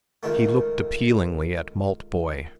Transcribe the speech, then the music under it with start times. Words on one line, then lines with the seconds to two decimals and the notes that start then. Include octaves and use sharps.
He looked appealingly at Maltboy.
0.23 C#2 D#3 A3